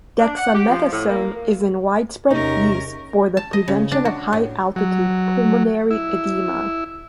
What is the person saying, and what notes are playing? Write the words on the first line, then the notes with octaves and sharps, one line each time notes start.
Dexamethasone is in widespread use for the prevention of high altitude pulmonary edema.
D4
F#5
G4
F3
A2
A#3
E2 C3 C#4 D#4 A#4 C#6
A5
D#5
C#3
D4
F#4
A2
F#3
E4